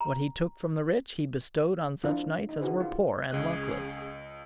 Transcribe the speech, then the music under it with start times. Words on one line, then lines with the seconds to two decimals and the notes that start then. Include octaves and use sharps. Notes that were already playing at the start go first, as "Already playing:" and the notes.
What he took from the rich he bestowed on such knights as were poor and luckless.
0.01 A#5
2.04 F3 C4 D4 E4 F4 A#4
2.49 D#4
2.61 D3 E4 F#4 G#4 B4 C5
2.80 E4 F4 A#4
3.31 C#2 C#4 G#4 D#5 F#6